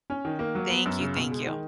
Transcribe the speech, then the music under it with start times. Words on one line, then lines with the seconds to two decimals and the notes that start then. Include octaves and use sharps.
Thank you, thank you.
0.10 C#4
0.25 D#3
0.39 A#3
0.55 F#3
0.70 B3
0.86 F#2
1.00 C#3
1.16 B2
1.31 G#3
1.47 D#3